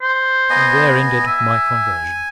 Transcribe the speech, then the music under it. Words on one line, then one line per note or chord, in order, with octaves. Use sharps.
And there ended my conversion.
C5
B3 D#5 G#5
E5 G#5